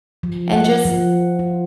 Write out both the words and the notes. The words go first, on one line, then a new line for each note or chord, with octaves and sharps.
and just
F3
F#5
F3
F4